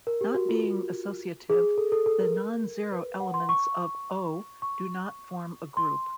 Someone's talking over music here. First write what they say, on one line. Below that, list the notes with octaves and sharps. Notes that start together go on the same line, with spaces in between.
Not being associative, the nonzero elements of O do not form a group.
A#4
G4
F#4
F4
F#4
G#4
A4
A4
A4
A#4
B4
F#5
C6
C#6
C#6
C6